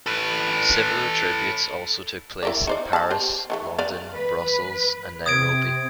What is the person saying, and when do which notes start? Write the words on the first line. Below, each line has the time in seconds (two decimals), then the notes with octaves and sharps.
Similar tributes also took place in Paris, London, Brussels and Nairobi.
0.06 A4 B4
2.43 E4 A#4 D5
2.67 D#4 C5 D5
2.93 A5 B5
3.11 G4 C5
3.50 D#3 G3 A3
3.78 B4 D5 F5
4.15 B4
5.26 C3 C4 D#6 G#6 D7